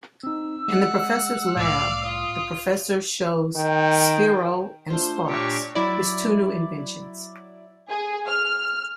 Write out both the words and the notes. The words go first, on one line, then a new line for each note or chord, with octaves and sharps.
In the Professor's lab, The Professor shows Spyro and Sparx his two new inventions.
C4 D#4 E6
G#3 F#5
C2 A2 D5 F5
F4 D#6
D#3 G5
A3 D4 F4 C5
A#2 D4 F4 G4 C#5 G5 C#6
F#3 E4 D5
G#4
F6